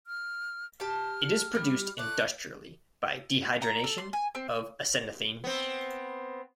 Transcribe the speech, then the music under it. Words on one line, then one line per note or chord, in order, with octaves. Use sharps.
It is produced industrially by dehydrogenation of acenaphthene.
F6
G4 A5 F6
G3
A3 D5 F#6
A#5
A4
C6
G#5
C4
B3 C4